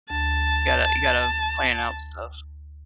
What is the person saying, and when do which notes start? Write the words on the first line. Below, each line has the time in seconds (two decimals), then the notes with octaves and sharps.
Gotta you gotta plan out stuff.
0.10 D2 A5